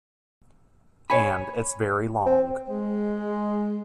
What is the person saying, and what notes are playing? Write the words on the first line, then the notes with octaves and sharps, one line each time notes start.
And it's very long.
C#5 G#5 B5
C4
G#3